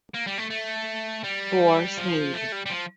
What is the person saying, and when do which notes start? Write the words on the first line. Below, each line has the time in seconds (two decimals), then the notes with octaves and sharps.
For Smeed.
0.14 A#3
0.27 G3
0.38 A3
0.50 A3
1.24 G3
1.97 F3
2.34 A3
2.52 G3
2.66 G3
2.70 F3